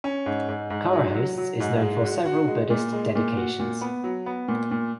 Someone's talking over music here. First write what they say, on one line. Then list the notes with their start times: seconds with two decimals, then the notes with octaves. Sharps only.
Kharahostes is known for several Buddhist dedications.
0.04 C#4
0.26 G#2
0.49 G#2
0.70 G#2
0.93 F#3
1.14 F#3
1.38 F#3
1.60 G#2
1.82 G#3
2.04 F#4
2.26 F#4
2.48 G#3
2.70 A#2
2.93 G#3
3.15 A#2
3.37 F#4
3.60 A#2
3.81 B3
4.04 F#3
4.26 B3
4.48 A#2
4.71 A#2